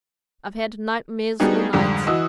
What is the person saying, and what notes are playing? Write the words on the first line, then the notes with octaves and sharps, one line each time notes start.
"I've had nightmare all night!"
G3 B3 D4 D#4 F#4 G#4
F2 G#2 D3 G3
E3 F#4 D#5 D#6 E6